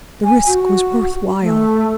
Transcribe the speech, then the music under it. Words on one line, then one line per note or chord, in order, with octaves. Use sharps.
The risk was worth while.
G#5
F#4
A3